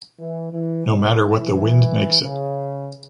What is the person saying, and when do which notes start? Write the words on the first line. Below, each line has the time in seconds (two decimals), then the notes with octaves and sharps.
No matter what the wind makes it!
0.19 E3
0.53 E3
0.87 B2
1.20 E3
1.53 E3
2.22 C#3